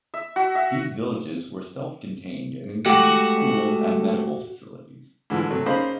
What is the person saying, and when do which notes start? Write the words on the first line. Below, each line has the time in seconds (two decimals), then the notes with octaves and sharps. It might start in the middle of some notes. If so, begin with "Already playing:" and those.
These "villages" were self-contained and included schools and medical facilities.
0.14 E5
0.36 F#4
0.55 E5
2.86 G#3 A3 F#4 G4 F#5 D6
5.30 G#2 D3 E3 F3
5.50 C3 F#3 A3
5.66 C#3 A#3 D#4 C5 B5 C6